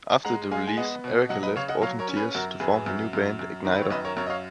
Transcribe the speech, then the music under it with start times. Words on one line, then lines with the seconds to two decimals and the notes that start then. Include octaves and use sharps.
After the release, Erika left Autumn Tears to form her new band, Ignitor.
0.25 G#3 F#5 A#5
0.51 G#3 F5 G#5
0.67 G#5
0.77 B3 D#5 F#5
1.04 B2
1.29 F#3 D#5 F#5
1.43 B4 D#5
1.56 C#3 C#5 F5
1.69 D#5 F#5
1.82 F#3 C#5 F5
1.99 A#4 C#5
2.08 C#4
2.16 G#4 B4
2.34 F#2 F#4 A#4
2.60 F#2 G#4 B4
2.86 F#2
3.13 F#2
3.39 F#2
3.64 D#3 A#4
3.72 B4
3.82 C#5
3.91 F#2 B4 D#5
4.05 A#4 C#5
4.17 F#2 A#4 C#5
4.27 D#5
4.30 C#5 F5